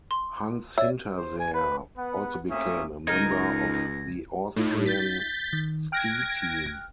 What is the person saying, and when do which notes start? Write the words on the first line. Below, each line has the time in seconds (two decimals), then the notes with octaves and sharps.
Hans Hinterseer also became a member of the Austrian ski team.
0.11 C6
0.78 C#5 D5 E5
1.17 C5
1.39 G#5
1.54 B4
1.97 B3 B4 F#5
2.50 A3 A#3 C4 C#4 E5 D#6
3.07 C#2 D#4 A#4 G#6 A#6
4.56 A2 D#4 F4
4.86 G6 A6 B6
5.53 D#3
5.92 G5 F6 F#6 G#6 A#6 D7